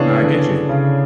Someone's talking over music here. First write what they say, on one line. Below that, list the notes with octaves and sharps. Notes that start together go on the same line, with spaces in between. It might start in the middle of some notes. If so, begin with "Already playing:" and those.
Nah, I get you.
Already playing: C#3 E3 B3 D4 G#4 C#5
D3
C#3